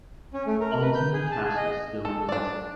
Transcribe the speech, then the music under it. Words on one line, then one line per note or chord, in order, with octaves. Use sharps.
Altena Castle still resisted.
C#4
A3
A#4
B4
G6
G#4
A5
G#4
D#5
A4
D4 D5